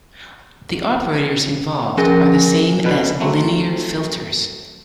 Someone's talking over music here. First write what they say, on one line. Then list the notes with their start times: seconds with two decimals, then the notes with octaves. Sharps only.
The operators involved are the same as linear filters.
1.97 F3 C#4 G#4 A#4 G#5 A#6
2.84 B2 D3 B4
3.20 F#3 A3 C4